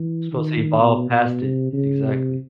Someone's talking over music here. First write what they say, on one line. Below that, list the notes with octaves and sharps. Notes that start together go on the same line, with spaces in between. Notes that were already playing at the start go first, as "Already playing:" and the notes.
supposed to evolve past it. Exactly.
Already playing: E3
D#3
B2
B2
C3
C#3
C3